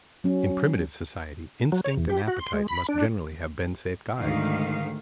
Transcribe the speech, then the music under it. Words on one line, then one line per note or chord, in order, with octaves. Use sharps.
In primitive society instinct and appetite must generally have been safe guides.
F#3 C#4
F#3
C#5
E2
G4
F#4
C6
G#3
B5
D4
D2 G#2 D#3 F5